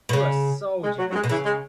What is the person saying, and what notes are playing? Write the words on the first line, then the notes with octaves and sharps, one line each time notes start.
You are so generous!
B2
C#3
G#3
F#3
F#3
G#3
B2
C#3 E3
G#3